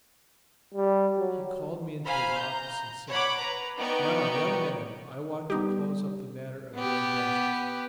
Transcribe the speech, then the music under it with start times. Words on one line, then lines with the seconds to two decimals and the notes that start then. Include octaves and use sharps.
He called me into his office, and said: 'Now, young man, I want to close up the matter of your inventions.
0.75 G3
1.19 F#3
2.05 C5 F5 G#5 A#5 B5
2.37 A#5 G6
3.09 C#5 F#5 B5 D6
3.39 B4 A#5
3.78 B3 D#4 D5 G5 C#6
5.50 G3 B3 D#4 G4
6.75 B3 G4